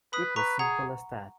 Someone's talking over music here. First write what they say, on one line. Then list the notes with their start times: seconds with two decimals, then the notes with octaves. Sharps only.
It was simple as that.
0.13 B4 B5 D#6
0.36 B4 A#5 C#6
0.59 G#4 F#5 A#5